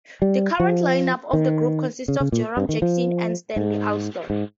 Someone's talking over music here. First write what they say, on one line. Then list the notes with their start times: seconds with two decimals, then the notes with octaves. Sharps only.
The current line-up of the group consists of Jerome Jackson, and Stanley Alston.
0.22 G3
0.60 F3
1.33 D#3
2.08 C#3
2.20 C#3
2.32 A#2
2.57 G2
2.69 D#3
2.82 F3
3.56 G#2
4.30 G#2